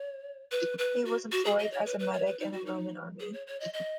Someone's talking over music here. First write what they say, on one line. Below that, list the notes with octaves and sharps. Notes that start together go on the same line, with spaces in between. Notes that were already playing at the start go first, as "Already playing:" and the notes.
He was employed as a medic in the Roman army.
Already playing: C#5
B4
B4
F#4
F#4
G#4
D#5
C#5
B4
B4
C#5
B4
D#4
F#4
D#4
G#4
C#5
C#5
D#5
D#5